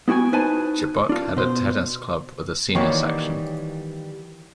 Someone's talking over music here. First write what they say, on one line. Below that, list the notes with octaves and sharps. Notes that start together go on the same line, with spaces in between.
Jabuk has a tennis club with a senior section.
B3 E4 F#4 G5 G#5
D#4 B4 C5 G#5 A5
D4 F4
B2 C5
D#3 E3 G3 A#3 F#4 C#5